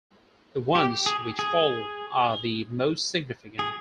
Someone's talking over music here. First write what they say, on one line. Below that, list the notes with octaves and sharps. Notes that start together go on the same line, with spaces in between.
The ones which follow are the most significant.
G4
G#4
G#4
G#4